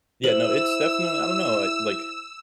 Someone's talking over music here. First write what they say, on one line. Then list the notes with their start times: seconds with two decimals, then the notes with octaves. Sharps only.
Yeah, no, it's definitely I don't know it, like
0.24 E4 C5 E6 F#7